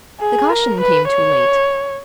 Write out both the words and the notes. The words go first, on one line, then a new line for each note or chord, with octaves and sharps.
The caution came too late.
G#4
A#4
B4
C#5